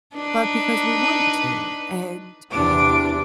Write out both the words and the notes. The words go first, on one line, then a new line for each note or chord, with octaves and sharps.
but because we want to, and
D4 D#4 B4
E2 C3 E3 D4 D6